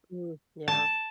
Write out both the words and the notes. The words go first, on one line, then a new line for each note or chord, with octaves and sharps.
Mm, yeah.
A5